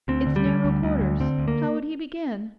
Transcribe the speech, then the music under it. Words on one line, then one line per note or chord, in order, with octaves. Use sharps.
It's narrow quarters; how would he begin?'
D2 C4
D3
G3
D3
D2
D2
D3
D3 C4
D2
A#3